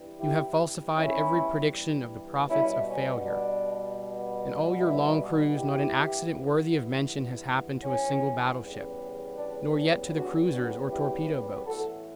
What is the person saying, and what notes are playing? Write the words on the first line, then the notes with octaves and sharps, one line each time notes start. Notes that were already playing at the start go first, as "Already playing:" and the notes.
You have falsified every prediction of the prophets of failure. In all your long cruise not an accident worthy of mention has happened to a single battleship, nor yet to the cruisers or torpedo boats.
Already playing: G2 E3 G3 B3
E4 G4
C#4 E4
B2 G3 B3 C#4 E4
C#4
D4
C#4 E4
G2 E3 B3 E4 G4
C#4
E2 C#3 G3 B3
D4
D4
D4 F#4
D4 F#4
E4 G4
A2 E3 B3 F#4 A4